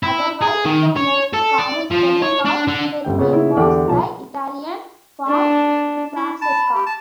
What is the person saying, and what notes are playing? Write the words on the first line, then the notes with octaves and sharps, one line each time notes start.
Otherwise, the most common spelling of her name was the Italian form, Francesca.
E4
G#4
D#3
C#5
A4
D5
F3
C#5
D4
D3
G1 D2 G5
A#2 C#3 B3 C#5
E4
E2 D3 G4 D5 D6
B1 F3 A5 A#5
D4
E4
A5 B5
G4
A5